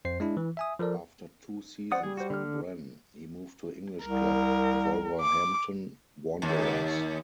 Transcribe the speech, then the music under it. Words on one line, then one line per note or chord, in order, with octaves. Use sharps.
After two seasons at Brann he moved to English club Wolverhampton Wanderers.
F2 C5 C7
G#3 D4 E4
E3
E5 G#5 D#6
F3 A4 A#4 D5
C5 D5 F#5 D#6
G3 G#4
F#4 C5
D3 F6
C2 A#4
D6
D#2